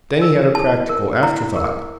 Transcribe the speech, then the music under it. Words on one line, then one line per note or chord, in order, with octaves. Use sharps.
Then he had a practical afterthought.
A#4
E4 A5
A#4
E4 A#5
A#4